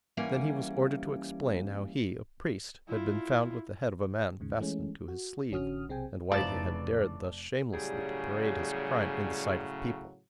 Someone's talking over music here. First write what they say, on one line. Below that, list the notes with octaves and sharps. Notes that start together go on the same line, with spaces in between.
Then he was ordered to explain how he, a priest, had been found with the head of a man fastened to his sleeve, and why he had dared thus shamelessly to parade his crime in the sight of people.
E3 G3 A#3 C#4 F#5 G#5
E4 F4
D#2 G#2 C#3
E3 G#3 A3 C#4
F#4
A1 D3 C#4 F#4 D#6 F6
B1 C3 C4 G#4 G5 G#5
F1 C#3 E3 F3 D#4 D5 A5
A2 C#3 F#3 G3 G#4